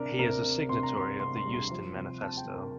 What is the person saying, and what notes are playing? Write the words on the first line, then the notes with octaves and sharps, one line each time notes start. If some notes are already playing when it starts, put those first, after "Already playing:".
He is a signatory of the Euston Manifesto.
Already playing: C3 D4 A#4
C3 A#4
C3
C3 C6
A#5
C3 C6
C3 C6
C6
G3
C6
F3 C6
C3
C3 A5
G5
C3
A#4